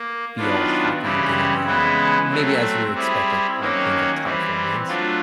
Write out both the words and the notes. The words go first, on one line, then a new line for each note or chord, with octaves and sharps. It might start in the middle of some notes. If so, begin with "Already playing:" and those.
be all happy, dandy, and maybe as you would expect, like, or think of Californians,
Already playing: A#3
D#3 F#3 B3 D4 F4
C#3 E3 G3 C4
C#3 E3 G#3 B3 E4
F#3 A3 C4
G3 C4 E4 G#4
D#3 F#3 A#3 C#4
E3 G3 C4
F#3 A3 D4 F4